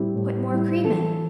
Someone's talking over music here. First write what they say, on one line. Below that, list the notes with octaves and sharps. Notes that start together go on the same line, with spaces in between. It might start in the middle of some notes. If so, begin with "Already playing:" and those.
Put more cream in.
Already playing: A2 G3 C4 E4 G4
A2
G3 C4 E4
E3 A4